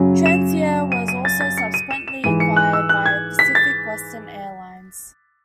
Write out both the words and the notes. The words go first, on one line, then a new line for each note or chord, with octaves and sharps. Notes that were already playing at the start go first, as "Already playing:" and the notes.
Transair was also subsequently acquired by Pacific Western Airlines.
Already playing: F#2 C#3 F#3
E7
D#7
D#7
A6
A6
C#7
D#7
E7
E7
G#2 E3 G#3 D#7
C#7
F#6
E6
F#6
G#6
B6
A6